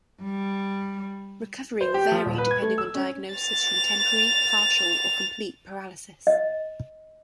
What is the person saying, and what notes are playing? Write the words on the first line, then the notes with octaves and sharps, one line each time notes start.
Recovery will vary depending on diagnosis from temporary, partial or complete paralysis.
G3
C5
G4
F3
D#1
B4
G#6
A3
E6
C#4
A6 F7
D#5